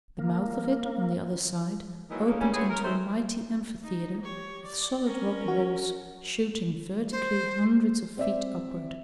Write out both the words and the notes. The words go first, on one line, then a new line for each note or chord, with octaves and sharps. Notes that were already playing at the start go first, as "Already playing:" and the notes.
The mouth of it on the other side opened into a mighty amphitheatre with solid rock walls shooting vertically hundreds of feet upward.
A#3
D#3 E3 F#3 G#3 A#3
A2 C#3 A#3
C#3 G3 A#3 C#4
C4 E4 F#4 G#4 B4 C#5
A#4
E2 D#3 F#3 A3 C4 C5
D#4
G4 C#5
D5
C#4 A#4
F#4
C5
C4 D5 E5